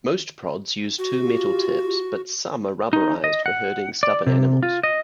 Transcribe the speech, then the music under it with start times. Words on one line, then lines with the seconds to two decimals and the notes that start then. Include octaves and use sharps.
Most prods use two metal tips, but some are rubberized for herding stubborn animals.
0.99 F#4
1.19 F4 G4
2.93 D#4
3.24 D#5
3.46 F#5
4.03 D5
4.26 C3
4.63 F4
4.83 D#5